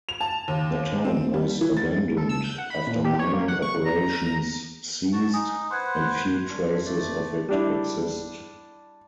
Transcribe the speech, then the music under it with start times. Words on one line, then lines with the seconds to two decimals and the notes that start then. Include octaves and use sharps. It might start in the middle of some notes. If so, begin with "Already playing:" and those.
The town was abandoned after mining operations ceased, and few traces of it exist.
0.09 F7
0.21 A5
0.48 D#2
1.05 C4
1.34 G3
1.61 E3
1.77 A6
2.17 A4
2.29 E6
2.44 G6
2.58 F#5
2.70 B5
2.87 A#2
3.04 G4
3.19 C#5
3.33 A#3
3.48 F#5
3.62 C#6
3.85 A#5
5.13 F#4 A5 C#6
5.33 D#4 G#5 D#6
5.71 B4 C5 F#5 C6 G#6
6.49 C#4 D4
6.86 A3 D5
7.49 G3 D4 E4